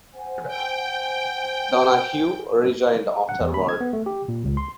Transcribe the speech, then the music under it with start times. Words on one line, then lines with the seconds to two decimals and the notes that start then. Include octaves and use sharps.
Donahue rejoined afterward.
0.14 C5 F#5 G#5
0.48 G5
3.29 F#5
3.41 E2
3.54 B5
3.69 G#6
3.81 B3
3.93 A3
4.06 G4
4.29 A#2
4.45 C#2
4.57 C6